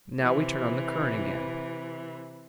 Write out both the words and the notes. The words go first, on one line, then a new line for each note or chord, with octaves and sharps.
Now we turn on the current again.
C3 E3